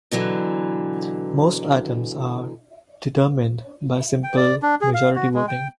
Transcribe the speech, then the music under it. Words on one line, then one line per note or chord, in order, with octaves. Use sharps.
Most items are determined by simple majority voting.
B2 D3 E3 F#3
G5
D5
D4
G#4
F5
F#4
G#3
G5